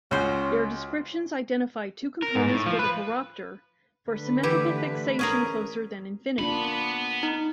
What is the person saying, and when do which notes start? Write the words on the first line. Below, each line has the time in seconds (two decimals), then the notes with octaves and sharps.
Their descriptions identified two components for the horopter for symmetrical fixation closer than infinity.
0.11 C#2 C#4 F#4 C5
2.22 A#4
2.35 G#2
2.48 A2
2.66 F3
2.79 B4
4.07 D3 A3 B4
4.43 E3 E4 G4
5.19 C#4 G#4 A#4
6.38 A#3 B3 D4 F4 B5
7.23 D#4